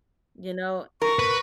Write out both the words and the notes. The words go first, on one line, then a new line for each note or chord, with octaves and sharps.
You know
A#4 C#6
B4